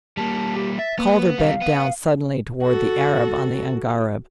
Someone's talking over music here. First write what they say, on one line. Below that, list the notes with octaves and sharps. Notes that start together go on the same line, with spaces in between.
Calder bent down suddenly towards the Arab on the angareb.
G3 A#3 A5
G4
E5 A6
A#3 B3
C3 G3 F5
B3
F#4 A4